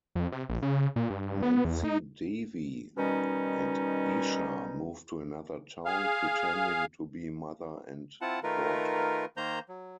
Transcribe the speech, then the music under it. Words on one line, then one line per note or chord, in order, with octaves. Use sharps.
Mansi Devi and Esha moved to another town, pretending to be mother and daughter.
F2
C3
A#1
C#3
A#2
G2
B3
E2
D#4
B2 D#3 G3 C#4 D#4
G#4 F5
C4 E4 F4 F#5 A5
D#3 A3 D#4 F4 A#4 B4
D#3 A#3 C5 A#5 G6
F#3